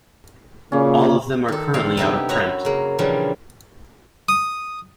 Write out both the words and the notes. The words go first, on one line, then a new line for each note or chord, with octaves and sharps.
All of them are currently out of print.
A#2 C#3 C#4
D#3 A4
E2 D3 C4 A4 F5 G5
C3 B3 D#4 E4 G4
F#2 F#4 C#5 E5 F#5 A#5
C#3 A#3
A#2 C#3 E3 F3 G3 D4
D#6